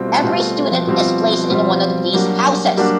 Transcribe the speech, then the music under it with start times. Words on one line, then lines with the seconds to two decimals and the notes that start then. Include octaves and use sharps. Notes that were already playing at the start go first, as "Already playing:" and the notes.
Every student is placed in one of these houses.
Already playing: B2 G3 C4 F4
0.08 A3
0.24 B2 G3 A3 C4 F4
0.40 A3
0.56 A3
0.71 F3
0.87 B2 G3 C4 F4
1.50 B2 G3 C4 F4
2.13 F#3 G3 A#3 D4 F#4
2.77 G3 A#3 D4 F#4